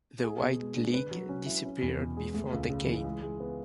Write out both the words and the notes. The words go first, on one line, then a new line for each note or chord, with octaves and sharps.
The White League disappeared before they came.
G#4
B2
G#3
D4
B4
F#3
C#4
E4
C#4
E2
B2
G#3
A3
C#2
C#3
E3
G#3
G#3
B3